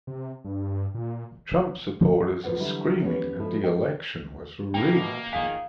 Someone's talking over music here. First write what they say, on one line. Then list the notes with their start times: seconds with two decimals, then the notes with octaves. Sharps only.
Trump supporters are screaming that the election was rigged.
0.07 C3
0.45 G2
0.94 A#2
2.44 E2 A2 F4 B4 C5 F#5
2.58 D3 E3 F#3 G3 E4
3.03 B3 C#4 G4 C#5
3.40 F3 G#3 E4 A4 A5
3.62 E2 G#3 D#5 G5
4.74 A1 E2 B2 A#3 G5
5.33 A#2 D#3 G#4 F5